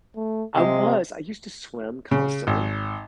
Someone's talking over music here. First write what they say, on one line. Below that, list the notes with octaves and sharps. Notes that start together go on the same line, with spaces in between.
I was, I used to swim constantly
A3
C3 F3 G#3
C#3
G#1